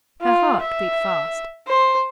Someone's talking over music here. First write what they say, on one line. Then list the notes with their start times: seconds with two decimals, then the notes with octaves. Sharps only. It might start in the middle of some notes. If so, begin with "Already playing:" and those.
Her heart beat fast.
0.22 F4
0.61 E5
1.67 C5